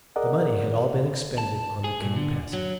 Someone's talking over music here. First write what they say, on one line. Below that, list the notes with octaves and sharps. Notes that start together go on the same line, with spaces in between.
The money had all been expended on the canoe passage.
G#4 A#4 D5 D#5 F#5
A5
G#4
G2
D3
F#3